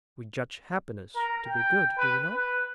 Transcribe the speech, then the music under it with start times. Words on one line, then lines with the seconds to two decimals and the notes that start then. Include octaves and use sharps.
'We judge happiness to be good, do we not?'
1.14 A#4
1.45 G5
1.97 B4
2.30 B4